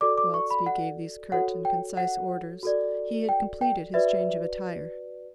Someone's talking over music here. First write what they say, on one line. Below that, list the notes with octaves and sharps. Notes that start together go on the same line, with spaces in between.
Whilst he gave these curt and concise orders, he had completed his change of attire.
F#4 A4 D5 D6
D6
C#6
B5
F#5
F#4 A4 C#5 F#5
G5
F#5
F#4 A4 D5
G5
G5
F#4 B4 D5 E5